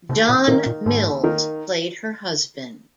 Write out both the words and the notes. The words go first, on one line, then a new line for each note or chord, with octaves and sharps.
John Mills played her husband.
D#2 C3
A#2
A#2 D#3 A#3 D#4 A#4
A#2
D#2 G#2
D#3 A#3 D#4 A#4